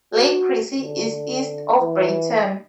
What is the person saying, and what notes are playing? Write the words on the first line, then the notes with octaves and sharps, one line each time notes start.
Lake Chrissie is east of Breyten.
F#4
D3
E3